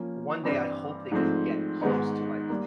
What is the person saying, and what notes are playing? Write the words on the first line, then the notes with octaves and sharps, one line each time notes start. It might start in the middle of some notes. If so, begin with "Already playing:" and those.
one day I hope they can get close to, like,
Already playing: F3 A#3 C#4
G2 E3 G3 C4
G#2 F3 A3 C4
G#2 D#3 G#3 B3 D#4
G3 A#3